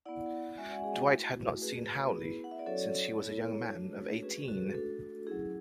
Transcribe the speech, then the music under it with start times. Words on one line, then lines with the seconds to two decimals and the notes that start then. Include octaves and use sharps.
Dwight had not seen Hawley since he was a young man of eighteen.
0.06 B3 E4 D5 F#5
0.58 G#3 C#4 F#4 E5 G#5
0.71 D5 F#5
0.84 G#4
0.96 F#4
1.10 A3 E4
1.62 A3 C#4 F#4 G#4 B4
2.14 B3 E4
2.44 F#5
2.51 E5
2.59 D5
2.66 F#3 C#4 F#4 A4 C#5
3.18 B3 E4
3.71 A3 D4 F#4
4.23 G#3 C#4 F#4 G#4 B4
4.48 F#4 A4
4.74 A3 D4 F#4 A4
5.27 F#3 C#4 E4 G#4